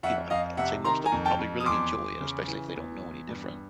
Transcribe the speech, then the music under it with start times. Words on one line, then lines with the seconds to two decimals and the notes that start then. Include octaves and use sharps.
you know, I'd I'd say most of 'em probably really enjoy it, especially if they don't know any different
0.03 F2 E5 F#5
0.30 F2 D#5 F5
0.57 C3 E5 F#5
0.84 D#3 A#5 C6
1.05 G#5 A#5
1.12 F2
1.26 G5 A5
1.39 F2
1.60 D#6
1.66 E2 C6 D6
1.93 E2
2.20 C#3
2.47 E3
2.74 E2
3.02 E2
3.29 G2